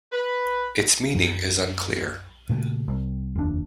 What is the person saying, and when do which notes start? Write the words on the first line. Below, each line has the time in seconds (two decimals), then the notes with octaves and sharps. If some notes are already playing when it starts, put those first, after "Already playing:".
Its meaning is unclear.
0.12 B4
1.15 F#2 F#3
2.49 A#2 C#3 A3
2.88 C2
3.35 F1 D#2 A#2 D4